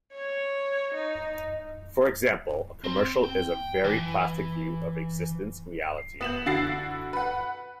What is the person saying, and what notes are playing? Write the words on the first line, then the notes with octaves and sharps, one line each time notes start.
For example, a commercial is a very plastic view of existence and reality.
C#5
D#4
C4
G5
E3
B3 E7 F#7
D3 E4 F#4 A6 C7
B4 F#5